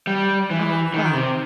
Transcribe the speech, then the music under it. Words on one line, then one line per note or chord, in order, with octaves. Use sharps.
Oh, fun.
G3
E3
D#3
C3